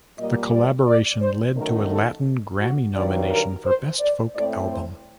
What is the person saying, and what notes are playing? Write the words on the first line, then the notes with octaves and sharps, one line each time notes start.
The collaboration led to a Latin Grammy Nomination for Best Folk Album.
A#2 G3 A#3 D#5
D5
D5
C5
F#2 D#3 A3 A#4
A4
F#4
G2 D#3 F#3 D5
A#4
C5
D5
A2 A3 C4 D5
C5